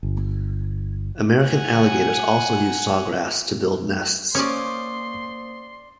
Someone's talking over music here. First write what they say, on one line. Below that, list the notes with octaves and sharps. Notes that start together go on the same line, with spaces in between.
American Alligators also use sawgrass to build nests.
G1
F#5 G#5
A#3 C#4 C5 D5 C6 C#6 D#6